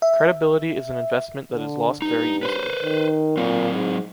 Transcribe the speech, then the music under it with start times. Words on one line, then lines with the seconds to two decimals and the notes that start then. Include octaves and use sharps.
Credibility is an investment that is lost very easily.
0.02 E5
1.53 D3
2.02 G2 D#4
2.43 B4 C5
2.84 D#3
3.37 A#2 F#3 C4
3.72 G#2